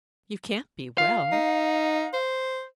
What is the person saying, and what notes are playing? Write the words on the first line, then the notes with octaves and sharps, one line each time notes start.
'You can't be well.
F4 F5
D#4
C5